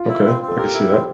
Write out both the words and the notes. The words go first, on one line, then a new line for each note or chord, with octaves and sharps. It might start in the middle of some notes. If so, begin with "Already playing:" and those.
Okay, I could see that.
Already playing: F4
E4
C4
C4
A4
G4 A#4
E4
C4